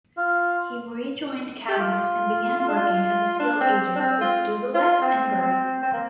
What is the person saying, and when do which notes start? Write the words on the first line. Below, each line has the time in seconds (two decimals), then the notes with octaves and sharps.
He rejoined Cadmus and began working as a field agent with Dubbilex and Guardian.
0.17 F4
1.69 G4
1.80 F4
2.60 F4
2.68 D4
2.77 F4
3.40 D4
3.61 C4
3.96 D4
4.00 C4
4.21 F4
4.74 F4
5.02 C4
5.42 C4
5.83 C4
5.93 A#3